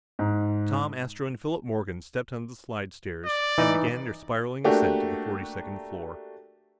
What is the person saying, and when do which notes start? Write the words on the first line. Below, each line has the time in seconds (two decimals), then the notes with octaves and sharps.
Tom, Astro, and Philip Morgan stepped on the slidestairs and began their spiraling ascent to the forty-second floor.
0.19 G#2
3.25 D5
3.58 E3 D#4 D#5
4.64 A3 A#3 D4 F#4 G4